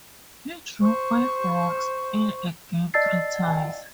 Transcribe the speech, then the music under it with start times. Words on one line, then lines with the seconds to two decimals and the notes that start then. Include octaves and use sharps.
He drew five walks in a game three times.
0.80 C5 C#6
2.94 D5 D#5 A5 E6 A6 C7